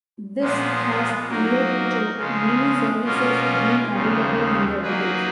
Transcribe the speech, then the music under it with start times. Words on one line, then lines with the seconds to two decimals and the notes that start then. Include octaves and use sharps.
This has led to many services being available in the village.
0.40 A#2 F3 G#3 B3
1.28 F#3 A#3 D#4 A#4
2.16 C#3 F3 G#3
3.04 B2 A#3 C#4 F4
3.93 D#2 C#3 F3
4.82 F#3 A#3 D#4 G#4 B4